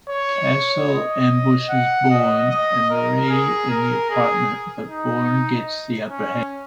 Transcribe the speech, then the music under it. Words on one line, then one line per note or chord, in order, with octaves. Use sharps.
Castel ambushes Bourne and Marie in the apartment, but Bourne gets the upper hand.
C#5
D#5
F#5
D#5
D#5
A#4
G#4
A#4
G#4
D#4
C#4